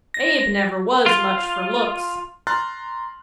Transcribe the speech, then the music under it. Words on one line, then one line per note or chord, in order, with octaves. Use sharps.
Abe never was much fur looks.
A#6
F4
A#5 C6 F6 F#6 A6